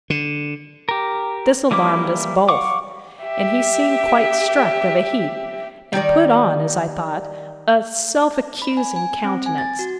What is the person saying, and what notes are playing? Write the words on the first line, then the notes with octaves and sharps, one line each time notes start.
This alarmed us both; and he seemed quite struck of a heap, and put on, as I thought, a self-accusing countenance.
D3
G4 A#4
E3 G3 A#3 E4 D6
F5 F#5 C#6 D6
G4 E5
D#3 G3 D#4 D5
B5
G#5
G#5
C4
G#5
A6
F#4